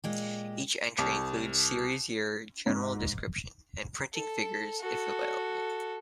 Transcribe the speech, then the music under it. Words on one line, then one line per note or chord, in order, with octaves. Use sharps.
Each entry includes: series year, general description, and printing figures if available.
A#2 G#3 G4
C2
G#2
A4
F#4 A4